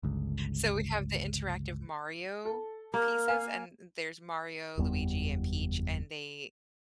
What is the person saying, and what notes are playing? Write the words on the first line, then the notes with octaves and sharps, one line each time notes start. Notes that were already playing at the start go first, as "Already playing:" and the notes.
so we have the interactive Mario pieces, and there's Mario, Luigi, and Peach, and they,
G1 C#2
A4
A#3 A#4
F5 G#5
F#1 E2 G3 B3